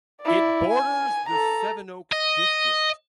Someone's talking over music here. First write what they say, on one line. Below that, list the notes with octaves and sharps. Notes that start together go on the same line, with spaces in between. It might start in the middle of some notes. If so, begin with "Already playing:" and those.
It borders the Sevenoaks District.
E4 D5
G#5
A4 A#5
D#5